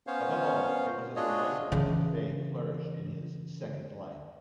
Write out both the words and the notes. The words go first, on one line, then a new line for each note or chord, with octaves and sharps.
Above all, it was as a writer that Fei flourished in his 'second life'.
B3 C#4 C5 C#5 F5
D4 F4 F#4 G#4 C#5 D#5
C#3 E3